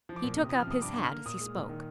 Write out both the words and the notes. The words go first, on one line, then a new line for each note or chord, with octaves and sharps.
He took up his hat as he spoke.
F3
D6
A#2
C3 D#6
D#6
F3
F6
C3 D#6
G2 D6
D3
F6
A#3
A#2 D#6
G#3
A#2
D#3